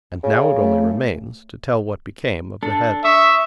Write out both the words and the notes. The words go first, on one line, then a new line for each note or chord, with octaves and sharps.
And now it only remains to tell what became of the head.
C#3
A3
D4 A4
E5 C#6 D#6